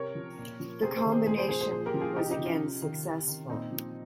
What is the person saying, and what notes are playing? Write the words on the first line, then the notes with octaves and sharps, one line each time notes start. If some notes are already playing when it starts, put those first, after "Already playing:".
The combination was again successful.
Already playing: C3 A#4 C#5
F3
A#2
F3
C3 G#4 C5
G#4 C5
D#3
G#4 C5
A#2 G#4 C5
G#4 C5
F3 G#4 C5
G#4 C5
A#2 G#4 C5
G4 A#4
F3
F4 G#4
C3 D#4 G4
D#4 G4
F3
C#4 F4
C3
D#3
C3
D#3
A#2 C4 D#4
F3